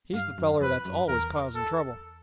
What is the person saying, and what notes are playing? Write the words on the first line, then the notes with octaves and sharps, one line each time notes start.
He's the feller that's always causin' trouble.
G2 F5
F#2
F2 B4
F#2
E2 A#4
A4